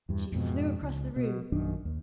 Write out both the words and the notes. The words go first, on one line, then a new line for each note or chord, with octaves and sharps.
She flew across the room.
E2 G2
F2 G#2 B2
C#2
B2
A#1 F#2 D#3 D4
D#2